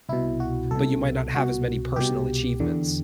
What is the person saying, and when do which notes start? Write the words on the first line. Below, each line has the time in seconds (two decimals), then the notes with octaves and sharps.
but you might not have as many personal achievements,
0.09 C2 B2 E4
0.40 F#4
0.71 C2 B2 A4
1.33 C2 B2 F#4
1.96 C2 B2 G4
2.60 E2 D3